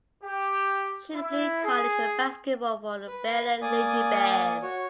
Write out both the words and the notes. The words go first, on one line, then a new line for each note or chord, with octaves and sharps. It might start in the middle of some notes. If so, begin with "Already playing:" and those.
She played college basketball for the Baylor Lady Bears.
G4
E4
G#4
B4
A#3 D5 G#5 D#6
F#4 C#5